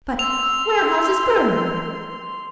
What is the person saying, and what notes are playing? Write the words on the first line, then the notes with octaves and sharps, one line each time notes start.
"But warehouses burn."
C6 E6 F7